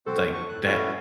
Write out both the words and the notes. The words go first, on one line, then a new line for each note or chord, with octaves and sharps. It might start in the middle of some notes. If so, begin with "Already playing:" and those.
Like, that
C4 F#4 A4 C5
F2 C#6
A2 F#6
C#4 E4 F#4